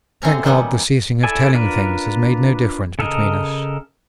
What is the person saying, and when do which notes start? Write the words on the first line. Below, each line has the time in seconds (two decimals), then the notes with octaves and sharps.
Thank God, the ceasing of telling things has made no difference between us.
0.22 D3 A3 C4 C#4 A#5
0.44 D#3 F#3 G3 B3 C#4
1.23 E4 A4 D5 G#5
1.54 D4 F4 A#4 B4
2.99 C#3 A4 A#4 D#5